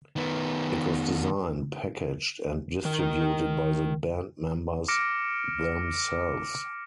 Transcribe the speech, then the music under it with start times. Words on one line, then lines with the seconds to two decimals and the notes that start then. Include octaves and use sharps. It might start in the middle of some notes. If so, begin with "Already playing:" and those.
It was designed, packaged and distributed by the band members themselves.
0.16 D#3 B3
2.85 D#3 A#4
4.88 D6 F6 A#6 C#7 D7